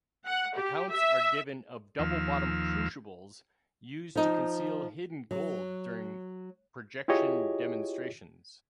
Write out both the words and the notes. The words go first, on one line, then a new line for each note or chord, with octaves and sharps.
Accounts are given of double-bottomed crucibles used to conceal hidden gold during projection demonstrations.
F#5
G4
E5
D#2 F3 E6 F6
F3 D#4
F#3
E4 F4 G4 G#4 C#5 D#5